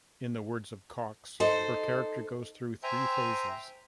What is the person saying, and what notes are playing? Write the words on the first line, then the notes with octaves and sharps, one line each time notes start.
In the words of Cox, her character goes through three phases.
D#4 A4 C5
C5 E5 G5 G#5 A#5